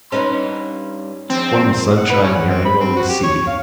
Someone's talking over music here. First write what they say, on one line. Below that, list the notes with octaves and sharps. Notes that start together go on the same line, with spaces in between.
Warm sunshine merrying over the sea.
G2 C#4 D#4 B4 C6
F3 C4 D4
F#5
B4
C#4
F#5
C4
B5
C4
F#4
G4
C#5
F5